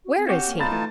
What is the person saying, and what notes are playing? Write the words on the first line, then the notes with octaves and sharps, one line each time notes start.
"Where is he?"
F#4
C4
C#4 F#4 G4
A#3
C2 D#4 F4 A5 B5 A6
E3 A3